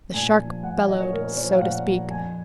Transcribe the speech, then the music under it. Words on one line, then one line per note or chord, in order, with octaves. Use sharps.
The shark bellowed, so to speak.
A#2 G#5
F3
A#2 F#5
F3 D#5
C#5
A#2 A#4
C5
F3 C#5
F5
A#2 F#5
F3
F2 G#5